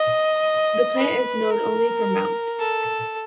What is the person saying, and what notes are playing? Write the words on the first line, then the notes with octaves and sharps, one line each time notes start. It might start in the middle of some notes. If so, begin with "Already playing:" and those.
The plant is known only from Mt.
Already playing: D#5
B4
A#4
A4